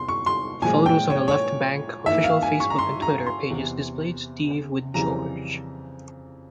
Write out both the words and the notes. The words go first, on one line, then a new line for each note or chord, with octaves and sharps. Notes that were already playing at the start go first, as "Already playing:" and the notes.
Photos on The Left Banke official Facebook and Twitter pages displayed Steve with George.
Already playing: E2 C3 C6
C#6
C6
A#2 F3 G#3 G#5
G5
C#5
C#5
G#2 E3 A#3 E5
F5
G#5
C#6
A#5
C6
A#5
C6
E2 C3 E3
F2 C#3 E3 G3 A#5